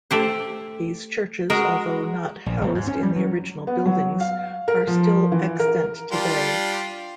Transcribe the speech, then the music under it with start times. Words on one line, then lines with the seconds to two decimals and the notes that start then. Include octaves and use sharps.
These churches, although not housed in the original buildings, are still extant today.
0.11 A3 G4 C5
1.50 G#3 F#4 A#4
2.46 A#1
2.61 G1
2.75 G#2
2.87 C#4
3.03 G3
3.16 F#3
3.67 B3
3.86 F#3
4.20 F5
4.68 A#4
4.87 F3
5.32 E3
5.59 A#4
6.12 G3 D4 F4